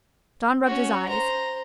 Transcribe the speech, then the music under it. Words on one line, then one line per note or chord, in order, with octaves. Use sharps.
John rubbed his eyes.
C#4 F#4
C5 A#5